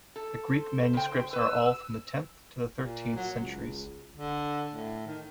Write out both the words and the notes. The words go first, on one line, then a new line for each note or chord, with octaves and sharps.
The Greek manuscripts are all from the tenth to the thirteenth centuries.
A4
C5
C#3 G5
B4 E6
A#2
F#3
C#2
D3
A2
D#3